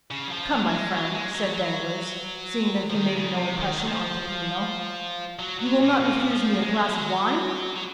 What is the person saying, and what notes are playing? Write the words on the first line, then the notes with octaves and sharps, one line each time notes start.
"Come, my friend," said Danglars, seeing that he made no impression on Peppino, "you will not refuse me a glass of wine?"
C#3
F#3
F3
F#3
F#3
G#3
F#3
G#3
F#3
F#3
F3
D#3
C#3
C3
D#3
F#3
F3
F#3
F#3
A#2
A#2
F3
G#3
F#3
F3
F#3
F#3